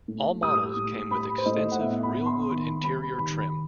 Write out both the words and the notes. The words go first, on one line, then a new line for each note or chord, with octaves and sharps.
All models came with extensive, real wood interior trim.
A2
G3 D#6
A2
G3 B5
C5
A2 D#5
F#5
B3 E5
B5
B3
C6
D#3 B5
G3 B5
D#3 B5